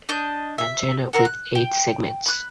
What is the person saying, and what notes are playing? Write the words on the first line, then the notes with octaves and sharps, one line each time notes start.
Antenna with eight segments.
D4 D#5 G6
E5
C4 A#4 F#5
F#6
G5
B5 F#6